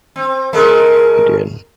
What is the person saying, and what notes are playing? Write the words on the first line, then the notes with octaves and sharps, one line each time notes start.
It did,
C4
C#3 G#3 A4 A#4